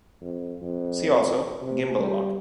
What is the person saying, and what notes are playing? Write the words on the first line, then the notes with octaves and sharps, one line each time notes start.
See also: Gimbal Lock.
F2
F2
C3
G3